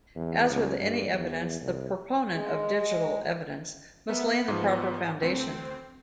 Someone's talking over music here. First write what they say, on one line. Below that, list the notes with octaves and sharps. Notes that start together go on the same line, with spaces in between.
As with any evidence, the proponent of digital evidence must lay the proper foundation.
E2
C#2
G2
E2
C2
G#3
B3 A#4 E5
G#2 F3
D2 C4